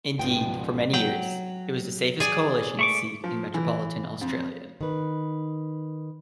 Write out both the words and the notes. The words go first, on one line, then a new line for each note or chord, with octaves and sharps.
Indeed, for many years it was the safest Coalition seat in metropolitan Australia.
G#2 B2 F3 B3 G5
F#3 G5
G#4 D5
A3 C#6 D6
F3
E3
F2
D#3 B4